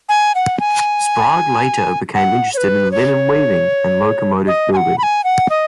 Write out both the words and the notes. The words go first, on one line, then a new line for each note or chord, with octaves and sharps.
Sprague later became interested in linen weaving and locomotive building.
G#5
F#5
G#5
F#5
C#5
B4
C#5
D#5
G#5
F#5
B5
G#5
F#5
D#5